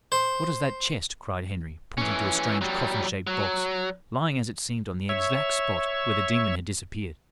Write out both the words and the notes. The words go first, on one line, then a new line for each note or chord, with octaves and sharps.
"What is that chest?" cried Henry, pointing to a strange coffin-shaped box, lying, as it seemed, on the exact spot where the demon had disappeared.
C5
E3 C#4
F#3 G3
F#3
C#5 E5